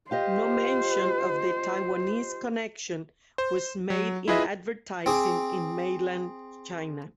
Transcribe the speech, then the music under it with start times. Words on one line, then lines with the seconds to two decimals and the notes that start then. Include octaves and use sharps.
No mention of the Taiwanese connection was made in advertising in mainland China.
0.11 F4 G4 C5 D#5
3.38 C5
3.90 F#3
4.28 E4 F4 G#4 B4 D#5 E5
5.06 C4 G#4 D6